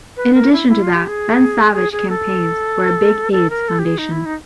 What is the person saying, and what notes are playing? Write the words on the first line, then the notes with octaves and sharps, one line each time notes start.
In addition to that, Ben Savage campaigns for a big AIDS foundation.
B4
A#4
E4
E4
F4
G4
G#4
G#4
G#4
A4
A4
A#4
A4
G4
G#4
D#4
E4
D#4